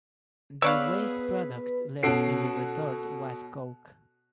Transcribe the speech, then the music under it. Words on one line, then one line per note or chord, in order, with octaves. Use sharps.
The waste product left in the retort was coke.
B3 G#4 B4 C#5 D5 F5 E6 F#6
B2 C#4 F#4 A4 C7 D7